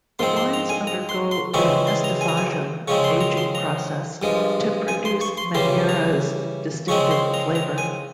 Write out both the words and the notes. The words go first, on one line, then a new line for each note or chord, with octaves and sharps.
The wines undergo the "estufagem" aging process to produce Madeira's distinctive flavor.
G#2 F3 C4 C6
C6
A#5
G#5
A#5
C6
C6
C#3 E3 G#3 C4 C#6
C6
A#5
G#5
A#5
G#5
C#3 F3 G#3 C4 C#6
C6
A#5
C6
A#5
G2 F3 G#3
G#5
C6
C#6
C6
C#3 E3 G3 C6
A#5
C#3 F3 G#3 C4 C#6
C6
A#5
A#5
G#5